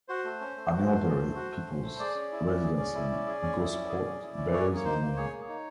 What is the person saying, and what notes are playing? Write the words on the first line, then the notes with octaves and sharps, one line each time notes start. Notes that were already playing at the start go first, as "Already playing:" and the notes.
An elderly people's residence in Gosport bears his name.
F#4 C5
A3
C#4
A3
F#4
A3
C#4
A3
F#4
A3
C#4
A3
G#4 D5
C#4
E4
C#4
G#4
C#4
E4
C#4
G#4
C#4
E4
C#4
G#4
C#4
E4
C#4
G#4 C#5
A#3
C#5
D#4 C5
A#3
G#4 C#5
A#3
D#4